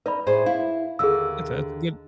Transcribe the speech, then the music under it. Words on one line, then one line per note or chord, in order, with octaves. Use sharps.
That's a that's a good
D#4 B4 D5 B5
A2 G#4 C5
E4 F5
D#2 D3 G#4 E6